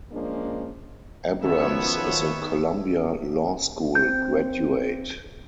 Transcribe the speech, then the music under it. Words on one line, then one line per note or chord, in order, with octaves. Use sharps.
Abrams is a Columbia Law School graduate.
F3 G#3 A#3 C#4 D4
F#2 D#3 F3 B3 C#5 E5
C4 G6